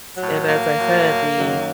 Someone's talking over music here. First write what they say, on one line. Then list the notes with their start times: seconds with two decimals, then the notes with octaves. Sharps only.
and, as I said, the
0.17 A2 F#3
0.47 A#3
0.77 A2 F#3
1.37 F#2 D#3 F#3